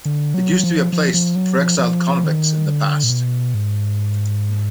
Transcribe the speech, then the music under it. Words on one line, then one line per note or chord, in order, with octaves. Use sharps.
It used to be a place for exiled convicts in the past.
D3
F#3
F3
F3
F3
F#3
F3
F3
D#3
D3
A#2
B2
G#2